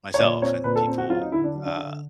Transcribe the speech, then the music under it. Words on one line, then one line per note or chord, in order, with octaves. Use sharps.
myself and people, uh,
C#5
A#2 D5
C4 C#5
A#2 B4
A4
C4
F#4
F#3 F4
D#4
D3 E4
D4
F#3
D4
D3